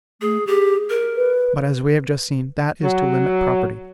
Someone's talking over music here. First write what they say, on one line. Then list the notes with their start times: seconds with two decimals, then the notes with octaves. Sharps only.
But, as we have just seen, that is to limit property.
0.21 A3 G#4
0.47 G4 G#4
0.90 A#4
1.17 B4
2.82 F#3